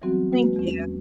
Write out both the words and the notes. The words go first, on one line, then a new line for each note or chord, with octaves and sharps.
Thank you.
E3 F#3 G3 B3 C4 F#4
G#3 A#3 F#4 B4
E2 C#4